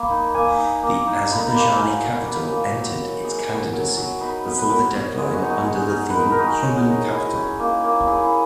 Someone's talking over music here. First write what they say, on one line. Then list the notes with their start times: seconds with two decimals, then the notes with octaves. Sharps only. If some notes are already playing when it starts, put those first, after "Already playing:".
The Azerbaijani capital entered its candidacy before the deadline under the theme "Human Capital".
Already playing: A#3 B5
0.10 D#4
0.34 A#3 G#5
0.58 D#4
0.83 A#3
1.07 D#4
1.31 D#4 B5
1.39 A#5
1.46 B5
1.56 A#3
1.79 F#3 G#5
2.04 F#3
2.28 D#4 B4
2.52 A#3
2.76 F#3
3.00 F#3
3.24 D#4 G#4
3.48 B3
3.73 F#3 A#4
3.97 F#3
4.20 D#4 B4
4.45 B3
4.58 B4
4.69 F#3 A#4
4.94 F#3
5.18 G#3 G#4
5.34 F#4
5.42 D#4
5.50 F#4
5.66 G#3
5.90 D#4
6.10 G#3 A#4 B4
6.30 A#4
6.39 D#4 F#4
6.47 G#4
6.62 G#3 C#5
6.87 D#4
7.11 E4 D#5
7.35 C#4
7.60 A#3
7.84 A#3
8.07 E4 G#4
8.24 G#4